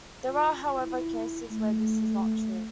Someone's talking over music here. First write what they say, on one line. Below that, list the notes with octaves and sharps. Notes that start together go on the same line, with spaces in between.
There are, however, cases where this is not true.
F4
E4
A3